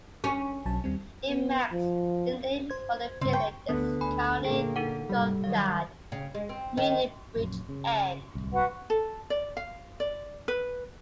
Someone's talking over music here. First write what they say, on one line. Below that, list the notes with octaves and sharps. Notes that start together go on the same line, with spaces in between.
In Manx the name for the village is "Kione Droghad" meaning "bridge end".
C#4
B1 F#3 A5
D#2 G3 C4
B3
F3
C5 G#6
G2 C#3 C4
G5 A#5 C6 C#6
D2 D3 B3
D2 G#5 B5
A#2 A#3 G#4 G5
D#4 A4 F#5
G#2 C3 G3
D#3 F#3 F5
C#3
G#3
C4
D#3
A#1 F#2
C#3
D1 C2
F#4 B4 F#5
A4
D5
F5
D5
B4